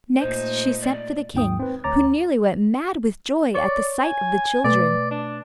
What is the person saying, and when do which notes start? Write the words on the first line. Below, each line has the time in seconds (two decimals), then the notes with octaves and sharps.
Next she sent for the king, who nearly went mad with joy at the sight of the children.
0.19 A#2 A3 D#4 C5
0.81 D5
1.34 D#2 G#2 G5 D#6
1.59 C4 B4
1.84 D2 C#5 A#5 D6 A6
3.55 C#5 D5 C#6
4.03 G#5
4.64 B2 A3 B4 D5
5.11 D4